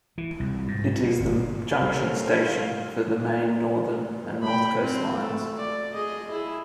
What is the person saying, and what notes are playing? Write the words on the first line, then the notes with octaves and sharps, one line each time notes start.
It is the junction station for the Main Northern and North Coast lines.
E3
C2
G#2
B2
G1
G3 C#4 A4 A#4 C5 F5
G5 B5
C4
A3
D5
G#4 D#5
E4 G#4